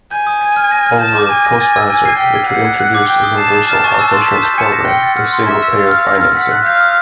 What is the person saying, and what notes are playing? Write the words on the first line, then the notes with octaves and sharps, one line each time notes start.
Olver co-sponsored which would introduce a universal health insurance program with single-payer financing.
G#5 G6
D#6
G#6
F6
A#6
F6
A5 G6
D6
G#5 D#7
A#6
G#5 A6
E6
G#5 D#7
C7
G5 B6
G#6
F#5 C7
G#6
F#6
D6
G5 G6
D#6
A5 C7
A6
A5 F6
C#6
E6
C6
B6
G6
A5 C#7
A#6
G5 C#7
A6
F#5 F6
C6
E5 G#6
E6
F5 A6
F6
A#6
F6
F#5 B6
F#6
F5 G6
D#6